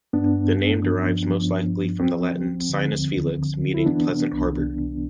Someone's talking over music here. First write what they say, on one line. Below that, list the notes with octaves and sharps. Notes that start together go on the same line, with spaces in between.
The name derives most likely from the Latin "sinus felix", meaning "pleasant harbour".
G2 B3 D4
G2
G2
F3
F3
F3
F3
F3
D2 C4
F3
D2
D3
D2
D2
D3
F3
E4
E3 B3 D4
C3
C2
C3
C3